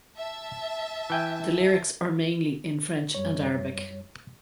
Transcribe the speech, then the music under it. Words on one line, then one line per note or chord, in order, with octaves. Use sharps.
The lyrics are mainly in French and Arabic.
E5 A5
E3 G5 G#5
F#2 G3 C#5